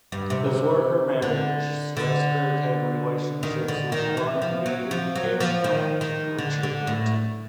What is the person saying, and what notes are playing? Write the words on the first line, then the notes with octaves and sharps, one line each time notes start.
Before her marriage, Strasberg had relationships with Warren Beatty, Cary Grant, and Richard Burton.
G2
C3
D3
D3
D#3
D3
D#3
E3
F3
F#3
F3
F#3
F3
D#3
D#3
D3
D3
A2